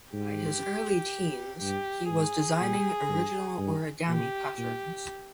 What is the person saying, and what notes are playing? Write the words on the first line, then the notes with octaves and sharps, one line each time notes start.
By his early teens, he was designing original origami patterns.
G#2 G4
G2 G4
G#2 G#4
A#2
G2
G2
A#2 G4
A#2 G4